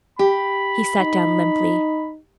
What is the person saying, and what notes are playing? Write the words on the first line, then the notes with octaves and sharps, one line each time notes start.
He sat down limply.
G4 B5
D#4